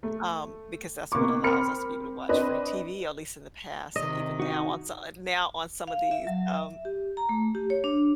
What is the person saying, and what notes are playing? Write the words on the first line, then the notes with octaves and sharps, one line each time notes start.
um, because that's what allows us to be able to watch free TV, at least in the past and even now on so uh, now on some of these, um
A3
C3 A#3 B3 C#6 D6
C4 A#4 B5 F6 C#7
C4 D4 B4 D#5
C3 D#3 D#5
D#4 F#4
F5
E5
F#3
E5
G4
A#5
A3
G4
C#5
D4